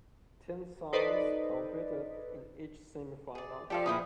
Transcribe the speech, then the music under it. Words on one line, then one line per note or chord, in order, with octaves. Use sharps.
Ten songs competed in each semi-final.
D#4 A4 B4 C5 D5 D#5
G#4 D5
F3 G4 A4 D5 F5
A#2 E4 G#4 B4 G5 D#6